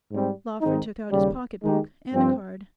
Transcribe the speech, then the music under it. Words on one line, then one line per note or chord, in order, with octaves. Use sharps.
Lawford took out his pocket-book and a card.
G#2 G3 C4
G#2 D#3 G#3 C4 D#4
D#2 C#3 G3
D#3 G#3 D#4 G4
G2 F3 C4